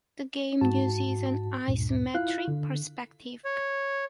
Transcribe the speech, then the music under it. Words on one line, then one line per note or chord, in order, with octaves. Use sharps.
The game uses an isometric perspective.
G#2 F#4 A5
D2 G2 A#2
E4 F4 F5 F#6
D3
C#5